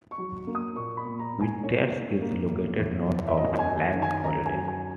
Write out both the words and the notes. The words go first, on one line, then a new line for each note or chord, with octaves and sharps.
Whitacre is located north of Lake Holiday.
C#6
F#3
A#3
D#6
A#2 C#6
B5
A#2
A#5
A#2
G#5
A#3 C#5
A#3
A#3
E2
E2
E2
E5
F#2 D#5
G#5
F#2
G#5
D#3
G#5
F#2 A#5
G#5
F#3
G#5